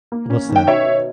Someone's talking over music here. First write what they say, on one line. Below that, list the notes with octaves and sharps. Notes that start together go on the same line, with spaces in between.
What's that?
A#3
C#4
D#3
G5
B2 C#5 E5
B2